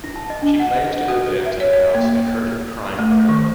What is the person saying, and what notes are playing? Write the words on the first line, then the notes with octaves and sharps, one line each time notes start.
She claims to have been to the house and heard him crying for help.
E4
A5
D#5
D4
F#5
D#5
F#4
E5
C#5
C#5
A#3
A3
D#3